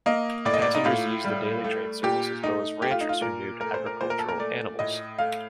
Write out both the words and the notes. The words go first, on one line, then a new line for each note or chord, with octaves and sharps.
Passengers used the daily train service, as well as ranchers who moved agricultural animals.
A#3 D#5
A2 D5
D#5
D5
D#4
A2 F4
G3
A3
A#2 G4
A3 D#4
A3 G4
F4
D#4
F4
A#2 A#4
A3 A#4
C5
A#4
A#2 C5
A#4
A4
A#4
A3 D5
A2 D#5
A3 F5